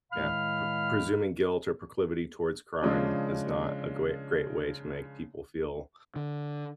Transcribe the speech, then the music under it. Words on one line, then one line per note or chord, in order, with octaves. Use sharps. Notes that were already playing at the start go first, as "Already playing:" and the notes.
yeah, pr presuming guilt or proclivity towards crime is not a great- great way to make people feel,
A2 D#3 G#3 F5 B5 F6
C#3 F3 G#3 C#4 D4
D3